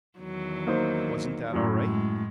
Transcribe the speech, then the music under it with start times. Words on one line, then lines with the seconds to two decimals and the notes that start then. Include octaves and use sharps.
"Wasn't that all right?"
0.19 E2 D#3 F#3
0.67 A#3 D#4 C5
1.53 F#2 A2
1.86 G#3